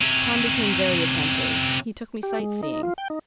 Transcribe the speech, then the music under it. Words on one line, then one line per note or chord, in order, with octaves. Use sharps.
Tom became very attentive. He took me sightseeing.
C3 C#4
G4
G#3
D#4
F4
G5
D#4